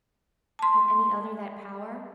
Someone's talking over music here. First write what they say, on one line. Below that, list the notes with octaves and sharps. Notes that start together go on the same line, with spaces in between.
Had any other that power?
A5 C6